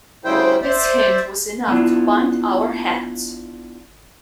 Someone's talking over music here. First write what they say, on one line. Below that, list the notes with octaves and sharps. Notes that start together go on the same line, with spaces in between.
This hint was enough to bind our hands.
D2 C#3 G3 E4 C5 G5
C5 D5 E5
A3 B3 D4 E4 F4